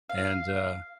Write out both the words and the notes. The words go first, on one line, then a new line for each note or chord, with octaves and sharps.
And, uh
F5